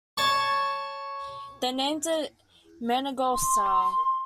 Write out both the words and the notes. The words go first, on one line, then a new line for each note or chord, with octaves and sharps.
They named it Maingol Sar.
C#5 A5 C#6
C6